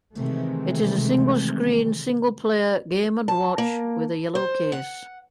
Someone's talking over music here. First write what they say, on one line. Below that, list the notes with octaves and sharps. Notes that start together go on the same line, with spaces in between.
It is a single-screen single-player "Game and Watch" with a yellow case.
C3 D#3 E3 G#3 A3 C4
A5
A#3
C5
F#5